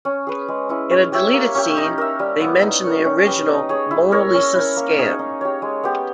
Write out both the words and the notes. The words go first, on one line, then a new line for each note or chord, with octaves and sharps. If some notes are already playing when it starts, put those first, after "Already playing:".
In a deleted scene, they mention the original "'Mona Lisa" scam'.
C#4
G#4 B4
G#3
C#4 E4
C#4
G4 C#5 E5
A#3
C#4 G4
D#4
A#4 E5
G3
B3 E4
D#4
A#4 C#5
C#4
G4 B4 D#5
D#4
G#4 C#5
E4
A#4 C#5
C#4
E4
A#4
A#3
D#4 G#4 C#5
D#4
G4 C#5
G#3
B3 G4